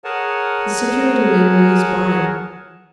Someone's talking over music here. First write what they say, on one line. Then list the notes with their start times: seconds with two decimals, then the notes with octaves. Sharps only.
The security men released Barney.
0.04 G#4 A#4 C#5 F#5 G#5 A5